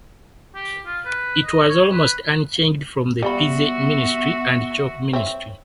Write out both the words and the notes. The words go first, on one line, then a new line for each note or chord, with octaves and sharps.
It was almost unchanged from the Pizzey Ministry and Chalk Ministry.
G4
F4
B4
D#5
C#5
B4
G3 B3 F4 F#4 E5 B5
C4 C#5 E5